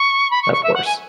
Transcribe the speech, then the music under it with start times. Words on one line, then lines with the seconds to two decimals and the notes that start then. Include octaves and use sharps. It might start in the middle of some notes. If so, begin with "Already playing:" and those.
Of course.
Already playing: C#6
0.30 B5
0.42 C#6
0.52 C#6
0.63 E5
0.74 F#5
0.85 G#5